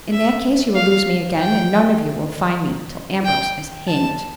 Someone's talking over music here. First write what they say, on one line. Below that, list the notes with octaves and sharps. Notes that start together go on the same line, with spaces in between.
"In that case you will lose me again, and none of you will find me till Ambrose is hanged."
E5
F5
G5
G5
A5